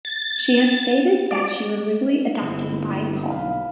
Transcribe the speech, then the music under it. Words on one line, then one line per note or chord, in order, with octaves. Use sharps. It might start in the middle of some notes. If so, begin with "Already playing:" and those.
She has stated that she was legally adopted by Paul.
A6
D5
G1 D3 G3 A#3 C4 E4 F#5 B5
B1 B4 F5 B5